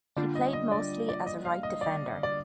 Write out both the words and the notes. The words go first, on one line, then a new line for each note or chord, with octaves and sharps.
He played mostly as a right defender.
D3 G3 A#3 D4 F4 D5
D#5
D#5
D5
D5
D#5
F5
D#5
D5
D5